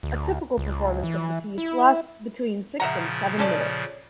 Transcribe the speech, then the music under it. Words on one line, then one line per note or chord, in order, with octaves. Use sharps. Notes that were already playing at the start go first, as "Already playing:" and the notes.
A typical performance of the piece lasts between six and seven minutes.
D2
C#2
E3
E4
A#2 C#3 F3 E5 F#5 A#5
C#4 A4 D5